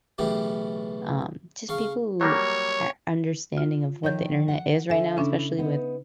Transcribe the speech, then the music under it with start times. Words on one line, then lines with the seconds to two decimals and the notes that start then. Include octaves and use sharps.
um, just people who are understanding of what the internet is right now, especially with
0.18 B1 A2 C#3 E3 G4
1.69 C#3 F5 C#6
2.21 F#3 G3 A#3 C#5
3.57 F4
4.03 D#3 F3 C#5 G6
4.48 F#5
4.90 D3 E5 G#5
5.17 C#3 C#4 D4 E4
5.58 B3 D#4